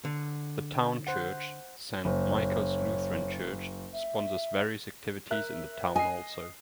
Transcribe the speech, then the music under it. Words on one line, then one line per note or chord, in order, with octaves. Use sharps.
The town church, Saint Michael's Lutheran Church, sponsors various activities in the town also.
D3
C5 F#5
F#1 C#5
E5
A#4 E5 F#6
D#5 G#5 C7